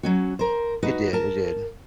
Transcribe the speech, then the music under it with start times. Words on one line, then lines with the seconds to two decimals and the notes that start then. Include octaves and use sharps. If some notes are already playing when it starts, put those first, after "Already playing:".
It did. It did.
0.03 F#3 C#4 F#4
0.39 A#4 C5
0.82 D#4 F#4 B4
1.13 A#4 A5